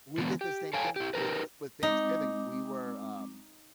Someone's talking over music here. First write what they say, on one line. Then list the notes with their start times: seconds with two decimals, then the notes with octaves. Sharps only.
We did the same thing with uh, with Thanksgiving, we were, um,
0.18 D3 E3 G#3 A#3 B3
0.41 G4
0.73 A4 C#5 F5 G5 G#5
0.96 E4 G4
1.14 D#4 G4 A#4 B4
1.83 G#3 C4 D#4 D6